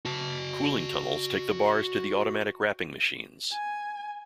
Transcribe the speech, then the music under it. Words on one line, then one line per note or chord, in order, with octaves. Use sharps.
Cooling tunnels take the bars to the automatic wrapping machines.
F#4 A5
G#5